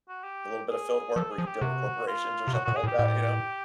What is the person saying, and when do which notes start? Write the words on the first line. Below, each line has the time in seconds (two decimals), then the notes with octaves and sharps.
a little bit of field work where you deal with corporations or something like that, you know,
0.09 F#4
0.24 G4
0.70 G#4
1.16 F3 A4
1.31 G#4
1.38 F3
1.46 G4
1.61 C3 F#4
2.07 F4
2.47 C3
2.53 B2 F#4
2.65 A#2 F#4
2.76 G#4
2.83 A2
2.87 G4
2.98 A2 G4